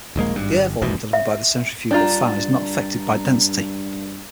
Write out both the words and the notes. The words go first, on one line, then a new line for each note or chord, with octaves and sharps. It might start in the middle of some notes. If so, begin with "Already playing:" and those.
The air volume delivered by the centrifugal fan is not affected by density.
D#1 A#1 G#3 A#3
G#1 G2
G1
F1 A#1 E2 B2
E5
G2 D4 F4 G5 A5 A#5